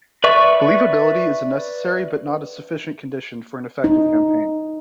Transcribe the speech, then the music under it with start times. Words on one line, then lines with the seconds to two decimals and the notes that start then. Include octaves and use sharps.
Believability is a necessary but not a sufficient condition for an effective campaign.
0.24 B4 D5 E5 C#6
3.84 D#4